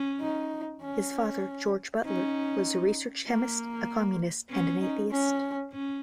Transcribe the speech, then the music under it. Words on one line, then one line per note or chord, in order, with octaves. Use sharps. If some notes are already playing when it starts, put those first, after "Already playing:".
His father George Butler was a research chemist, a Communist and an atheist.
Already playing: C#4
D#4
C#4
C#4 D#4
A#3
B3 C#4
D#4
C#4
C#4